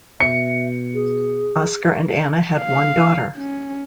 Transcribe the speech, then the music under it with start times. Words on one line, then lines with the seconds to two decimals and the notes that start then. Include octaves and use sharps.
Oscar and Anna had one daughter.
0.20 B2 E5 C#7
0.94 G#4
2.57 F5
3.37 C#4